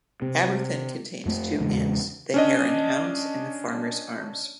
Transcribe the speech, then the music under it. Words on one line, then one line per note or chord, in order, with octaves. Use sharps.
Aberthin contains two inns; The Hare and Hounds and The Farmers Arms.
C3
F2 A3
D#1 E2 C#3 G#3
C#4 D4 D#5